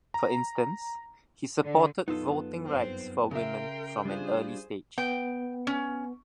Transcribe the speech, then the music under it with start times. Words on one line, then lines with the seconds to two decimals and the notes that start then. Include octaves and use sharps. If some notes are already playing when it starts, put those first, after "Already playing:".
For instance, he supported voting rights for women from an early stage.
0.14 A#5
1.64 D3
2.08 F#2 B3 D#4 F4 A4
2.65 G2 C4 C5
3.31 C#3 A#4 E5 G5 C6
4.05 G3 D4 F4 G#4 C5
4.98 B3 G5
5.67 C#4